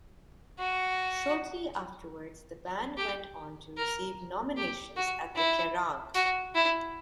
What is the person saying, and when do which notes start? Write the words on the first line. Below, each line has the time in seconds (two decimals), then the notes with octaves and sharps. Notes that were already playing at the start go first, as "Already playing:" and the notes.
Shortly afterwards, the band went on to receive nominations at the Kerrang!
0.59 F#4
2.97 G4
3.77 A#4
4.57 G4
4.97 F#4
5.36 E4
6.15 F#4
6.55 E4